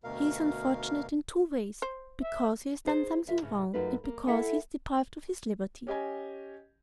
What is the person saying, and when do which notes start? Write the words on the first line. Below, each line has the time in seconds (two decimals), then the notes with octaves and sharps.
He is unfortunate in two ways--because he has done something wrong and because he is deprived of his liberty.
0.04 D2 B2 A#4 F5
1.82 C5
2.22 E5
2.85 D#4 G#4 C5
3.27 D#2 E5
3.42 A2 C#3
3.74 F#2 F#3 A3 D#4 F4 B4
4.04 A#3
4.27 A3 E4 A4 E5 F#5 G#5
5.87 C#4 G4 D#5 G#5